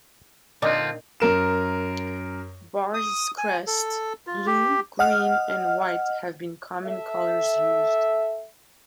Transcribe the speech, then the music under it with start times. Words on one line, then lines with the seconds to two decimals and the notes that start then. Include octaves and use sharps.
Bar this crest, blue, green and white have been common colours used.
0.62 A#2 D3 C4 D4 D#4 F4
1.20 F#2 A#4 E7
2.94 D#6
3.38 G#5
3.67 A4
4.27 F4
4.47 G4
4.99 D#5 F#5 F6
6.85 A4 E5